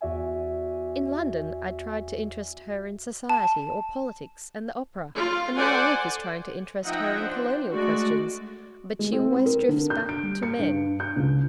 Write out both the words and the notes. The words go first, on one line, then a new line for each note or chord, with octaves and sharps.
In London, I tried to interest her in Society, or Politics, and the Opera--and now Luke is trying to interest her in Colonial questions--but she always drifts back to--Men.
E2 F#4 D5 E5 G#5
A5
F4
A4 C5 D5 F#5 G#5
F3 D#4 D#5 E5 F#5 G5
D4 C5
G#3 A3 F#4 D5
G#3
C4
B4
A#4
D3
G6
D7
G3
C#7
G2
G6
C#2